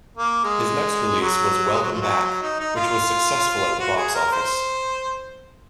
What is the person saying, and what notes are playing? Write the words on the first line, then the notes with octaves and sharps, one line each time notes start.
His next release was "Welcome Back", which was successful at the box office.
A#3
G#3
F#3
G#3
F#3
F3
F#3
F#3
D#4
D#4
F4
F#4
G#4
A#4
C5